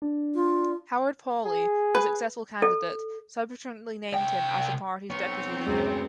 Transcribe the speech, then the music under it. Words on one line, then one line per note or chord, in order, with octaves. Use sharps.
Howard Pawley, the successful candidate, subsequently named him as the party's deputy leader.
D4
F4
G#4
B4
A4
C2 G5
B3 C4 C#5
F#2 F#3 G#3